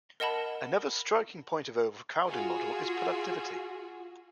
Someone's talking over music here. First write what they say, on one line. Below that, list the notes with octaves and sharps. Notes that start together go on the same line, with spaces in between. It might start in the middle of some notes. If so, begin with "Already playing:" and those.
Another striking point of overcrowding model is productivity.
A#4 D#5 F#5 A5 B5
F4 F#4 G#4